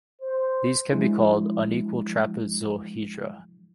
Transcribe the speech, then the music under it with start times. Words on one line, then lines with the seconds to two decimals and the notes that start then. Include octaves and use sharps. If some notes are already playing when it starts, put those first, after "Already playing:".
These can be called "unequal trapezohedra".
0.21 C5
0.92 F3 F#3 G#3 D4 E4